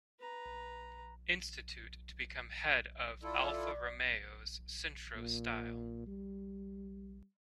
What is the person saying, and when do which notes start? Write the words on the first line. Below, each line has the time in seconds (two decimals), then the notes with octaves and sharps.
Institute to become head of Alfa Romeo's Centro Stile.
0.19 B4 A#5
3.23 E4 F4 A4 D5
5.16 A#2
6.07 G3